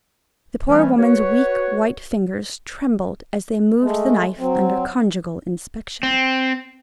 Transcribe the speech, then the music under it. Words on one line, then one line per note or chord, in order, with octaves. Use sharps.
The poor woman's weak white fingers trembled as they moved the knife under conjugal inspection.
E3 G3 A3 C#4
F#4 B4 C#5
G#3 A3
F#3 C4
C4